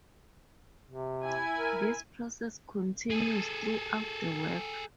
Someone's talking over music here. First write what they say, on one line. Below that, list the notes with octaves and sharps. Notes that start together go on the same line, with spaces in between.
This process continues throughout the work.
C3
E4 G#5
A#4
G#4 A4